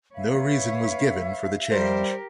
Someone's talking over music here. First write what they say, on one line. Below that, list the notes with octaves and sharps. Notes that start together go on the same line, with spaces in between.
No reason was given for the change.
B4 C#5 E5 F5
G3 G4 A#4 C5